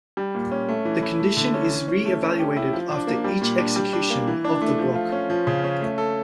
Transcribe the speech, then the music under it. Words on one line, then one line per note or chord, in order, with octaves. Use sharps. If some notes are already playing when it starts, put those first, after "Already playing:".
The condition is re-evaluated after each execution of the block.
G3
A#2
C#4
A3
E3
E4
A3
D3
C#4
E3
C#4
A3
C#4
G4
E4
F3
D4
A#3
G3
A#2
D4
G3
D4
A#3
E3
D4
A3
F3
F4
C#4
F3
C#3
C#4
A3
A4